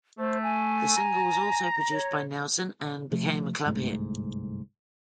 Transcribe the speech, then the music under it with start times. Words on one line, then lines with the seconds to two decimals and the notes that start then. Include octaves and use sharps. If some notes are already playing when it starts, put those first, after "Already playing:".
The single was also produced by Nelson and became a club hit.
0.19 A3 C5
0.43 G#5
0.96 A#5
1.92 C#5
3.11 C3 F3 A3
3.66 G1 C2 G#2 A3